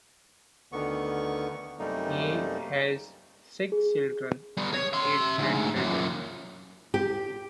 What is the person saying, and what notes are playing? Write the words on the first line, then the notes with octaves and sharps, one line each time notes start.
He has six children and eight grandchildren.
D2 D3 D#3 B3 C#6
F#2 C3 G3 A3 A#3 D#4
G#4
G3 B3
C#5
E5 C6
D2 G#2
F#2 A#2
G4